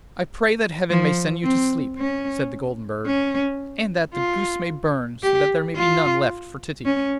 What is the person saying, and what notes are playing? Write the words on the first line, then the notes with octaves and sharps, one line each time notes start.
'I pray that Heaven may send you to sleep,' said the golden bird, 'and that the goose may burn, so that there may be none left for Titty.'
F3
C4
C#4
C#4
F4
G4
F4
C#4